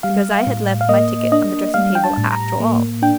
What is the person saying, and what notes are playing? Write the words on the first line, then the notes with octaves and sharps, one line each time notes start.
Because I had left my ticket on the dressing-table after all.
G3 F5
A2
F5
A#3 D#5
D4 D#5
G3 F5
G5
A5
A2
A#5
A#3
D4 G5